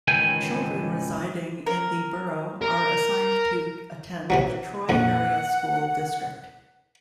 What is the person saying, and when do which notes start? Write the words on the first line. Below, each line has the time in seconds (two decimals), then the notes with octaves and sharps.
Children residing in the borough are assigned to attend the Troy Area School District.
0.08 C#2 A2 D#3 E3 G5 G#5
1.67 A#4
2.62 A#4
4.30 C3 E3 F#3
4.89 A#1 F2 F3 F#5